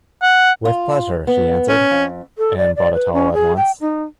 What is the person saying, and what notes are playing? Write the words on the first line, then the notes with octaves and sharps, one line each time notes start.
"With pleasure," she answered, and brought a towel at once.
F#5
F4
B3
C#4
F2
A4
D5
D5
B4
C#4
G#4
G5
D#4